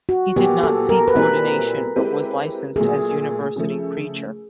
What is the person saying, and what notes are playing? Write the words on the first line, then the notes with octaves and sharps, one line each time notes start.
He did not seek ordination, but was licensed as University Preacher.
F#4
A#2 F#3 B3 G4
A4
A#4
B4
A#2 G3 C4 E4 A#4
G#3 C4 E4 G4 B4
A#2 F#3 A3 G#4
C#3 F3 A3